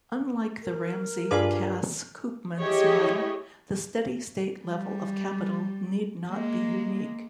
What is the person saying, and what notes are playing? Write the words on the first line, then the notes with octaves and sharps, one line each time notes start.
Unlike the Ramsey-Cass-Koopmans model the steady state level of capital need not be unique.
A#4
G2 D4 F4 G#4 B4 D6
E4 G4 G#4 C#5 D#5
G3
G#3 A#3